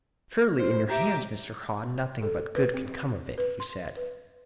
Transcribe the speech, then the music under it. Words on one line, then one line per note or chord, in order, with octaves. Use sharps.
"Surely in your hands, Mr. Haw, nothing but good can come of it," he said.
C5
G4 E5 A#5 D6
A4
B4
C4
B4
C6
B4